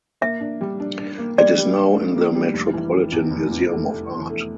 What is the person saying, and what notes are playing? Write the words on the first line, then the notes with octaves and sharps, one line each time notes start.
It is now in the Metropolitan Museum of Art.
A#3 E5
D4
G3
D4
D4
A#3
G3 D5
G3
D4
D4
A#3
G3
F1
E3
E3
E2
F1
E2
A3
A3
E3
A3